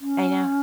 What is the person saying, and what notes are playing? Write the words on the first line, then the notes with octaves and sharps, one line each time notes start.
I know.
C#4